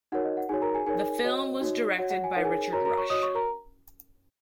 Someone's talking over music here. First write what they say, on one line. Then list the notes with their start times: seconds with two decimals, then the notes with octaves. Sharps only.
The film was directed by Richard Rush.
0.12 D#4 F#4 A#4 C#5 F#5
0.24 D#5
0.37 F#5
0.49 D#4 F#4 G#4 C#5 G#5
0.62 A#4 A#5
0.74 G#4 G#5
0.86 D#4 G#4 A#4 C#5 G#5
1.24 F#4 C#5 D#5
1.61 D#4 F#4 C#5
1.98 F#4 C#5 F#5
2.11 F#5
2.24 G#5
2.34 D#4 A#4 C#5 F#5
2.44 G#4 G#5
2.73 F#4 A#4 C#5 A#5
2.85 A#4 A#5
2.98 C#5 C#6
3.10 F#4 C#5 D#5 D#6
3.23 C#5 C#6
3.35 A#4 A#5